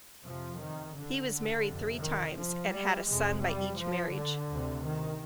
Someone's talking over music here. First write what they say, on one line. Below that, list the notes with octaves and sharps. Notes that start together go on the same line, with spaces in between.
He was married three times and had a son by each marriage.
F2 C3 F3
D#3
D3
F2 C3
D#3
F3
G3
F2 C3 G#3
G3
F3
D3
D2 C3
D#3